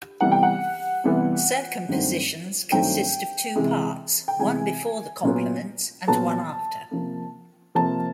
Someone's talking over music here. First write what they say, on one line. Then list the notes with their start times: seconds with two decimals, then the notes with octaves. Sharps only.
Circumpositions consist of two parts, one before the complement and one after.
0.21 C3 E3 G3 B3 F#5
0.32 G5
0.43 F#5
1.04 C3 E3 G3 B3
1.89 G2 D#3 F#3 A3 C4
2.72 G2 D#3 F#3 A3 C4 G5
3.56 C3 E3 G#3
4.28 G5
4.39 C3 E3 G#3 G#5
5.23 A#2 F#3 B3
6.08 A#2 F#3 B3 A5
6.91 C3 F3 A#3
7.75 C3 F3 A#3 A5